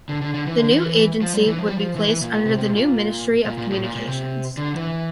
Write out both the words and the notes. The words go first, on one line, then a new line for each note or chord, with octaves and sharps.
The new agency would be placed under the new Ministry of Communications.
D3
D3
D3
E3
D3
E3
F3
G3
E3
F3
G3
F3
E3
E3
A#2
A#2
C3
C3
A#2
A#2
A#2
A2
A#2
A#2
C3
D3
E3